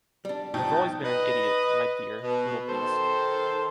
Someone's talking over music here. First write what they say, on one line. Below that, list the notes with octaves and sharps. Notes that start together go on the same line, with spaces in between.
You’ve always been an idiot, my dear, little beast.
G3 D4
B2 F3 D#4 G5 A5
B4 D#5
B2
D#3 A4 C5